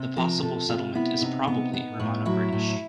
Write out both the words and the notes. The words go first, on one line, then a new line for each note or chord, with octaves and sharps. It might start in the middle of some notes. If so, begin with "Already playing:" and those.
The possible settlement is probably Romano-British.
Already playing: C3
F3 A#4
C3 A4
C3 F4
B3 E4
C3 D#4
B3
B3
A2
F#3 E4
A2